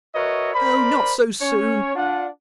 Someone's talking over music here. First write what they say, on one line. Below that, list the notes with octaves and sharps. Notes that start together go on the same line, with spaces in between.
'Oh, not so soon!
F#4 A#4 B4 C#5 D#5 E5
A#4 C5 D5 B5
C#4 C#5
D4 F4 F#5